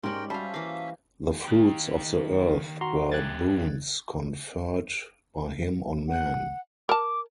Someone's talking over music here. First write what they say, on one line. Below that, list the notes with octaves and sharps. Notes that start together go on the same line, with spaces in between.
The fruits of the earth were boons conferred by him on men.
G#2 G3 C#4 A#4 G5 C6 C#6 F#7
G3 C#4 F#4 C5 E5 F5 A5
E3 A#3 F5
D#3 G4
F#4 A#5 C6
F#2 G4 F#6 G#6 A6
F#5
A#4 A5 D6